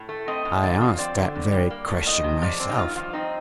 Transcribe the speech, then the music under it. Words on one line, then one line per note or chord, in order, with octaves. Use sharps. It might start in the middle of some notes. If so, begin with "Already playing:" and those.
I asked that very question myself.
Already playing: A2
A3
C4 D#5
A2
D3 D5
F3 F4
C4 D5
D3
A2
G3
A#3
A2
F2 D#5
C3
F3 D5
C4
D#4
G2 F4
F3 F4
C4 D#4